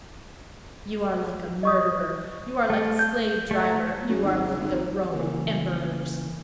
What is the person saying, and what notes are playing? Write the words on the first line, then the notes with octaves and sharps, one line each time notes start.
"You are like a murderer--you are like a slave-driver--you are like the Roman emperors!"
D#5 C#6 D#6
A3
G6
A3
F#2
G#1
C#3
G#1
C#3 E3 A#3